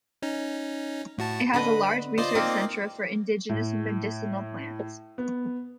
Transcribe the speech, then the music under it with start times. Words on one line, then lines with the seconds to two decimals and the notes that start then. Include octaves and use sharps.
It has a large research centre for indigenous medicinal plants.
0.22 C#4 D#4
1.18 A2 F#4 A5
1.54 D3 B4 D#5 B5
2.18 F4 C5 D5 D#5
2.35 A#3 C4 D#4
3.49 A2
5.18 B3